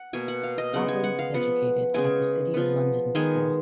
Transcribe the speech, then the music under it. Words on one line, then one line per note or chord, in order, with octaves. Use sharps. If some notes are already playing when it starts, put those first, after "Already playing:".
Quadling was educated at the City of London School.
Already playing: F#5
B2 A#3 G#5
F#5
F5
D#5
C#3 G#3 B3 F#5
G#5
F#5
F5
F3 B3 F#5
C#3 G#3 B3 G#5
F3 B3
D#3 G#3 B3 G#5